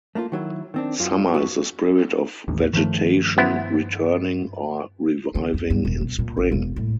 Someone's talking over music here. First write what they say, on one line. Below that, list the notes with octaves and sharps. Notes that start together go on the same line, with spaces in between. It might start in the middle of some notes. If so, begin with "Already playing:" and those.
Summer is the spirit of vegetation returning or reviving in spring.
A3 A#3 D4 F4
D#3 F#3 E4
D#3 C4 D4
F#2 F4
F2 A3 B3 F#4
A1 D#2
G2 D#3 F3 A3
B3 E4 C5
D3
F2
G2
E1
B2
A#2
A1
E1
A2